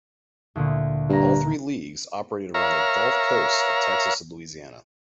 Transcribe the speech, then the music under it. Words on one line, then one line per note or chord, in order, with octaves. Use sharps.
All three leagues operated around the Gulf coasts of Texas and Louisiana.
D2 A#2 D3
G2 A#3 A#5
A#4 C#5 E5 F5 A#5